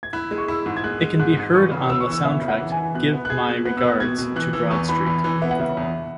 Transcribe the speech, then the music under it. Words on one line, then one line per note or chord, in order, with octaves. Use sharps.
It can be heard on the soundtrack "Give My Regards to Broad Street".
G#6
E4 F#6
G#3
C#6
E4 E6
G#2
G#6
G#3 F#6
G#3
G#2 F#6
G#2
E3 C#6
C#3
B3 E6
C#6
E3 E6
B3 E5
C#3
F#5
E3
G#5
E3
B2 F#6
B3
F#6
G#4 G#6
B2
B3 F#6
E6
B3
F#6
B2 G#6
B2
E3 F#6
E3 E6
E2 C#6
E3 B5
E2 B5
E3
B3 E5
F#5
C#3 E5
E2